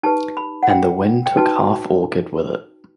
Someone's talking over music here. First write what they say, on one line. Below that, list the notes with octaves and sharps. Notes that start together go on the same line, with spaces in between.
And the wind took half orchard with it.
D#4 G4 B4 A5
B5
F#5
G5
G5
D#4 F#4 B4 A5